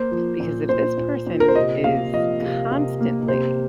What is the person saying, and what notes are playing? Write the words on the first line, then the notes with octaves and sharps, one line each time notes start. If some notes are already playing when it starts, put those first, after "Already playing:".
because if this person is constantly
Already playing: A#3 C5
F3
A#2
A#2 C5
A#2
A#2
A#4
C5
C3 D#5
A#3 F5
F3 D#5
C3
C3
A#3
C3 C5